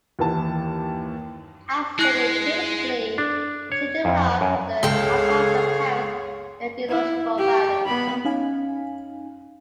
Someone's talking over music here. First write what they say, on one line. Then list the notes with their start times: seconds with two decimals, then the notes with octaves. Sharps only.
As stated previously, children will often adopt their parents' ideological values.
0.19 D#2 E3 A5
1.99 G#3 E4 F#6
3.18 D4
3.72 C#5
4.05 F2
4.41 F#2
4.83 C#2 G#4 A4 C#5 F5 G5
6.90 E4
7.38 G4
7.86 B3 B5
8.25 C#4 D#4 F5 G#5